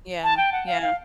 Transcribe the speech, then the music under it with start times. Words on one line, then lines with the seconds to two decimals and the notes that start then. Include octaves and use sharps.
Yeah. Yeah.
0.24 A5
0.37 G5
0.52 F#5
0.67 F5
0.81 F5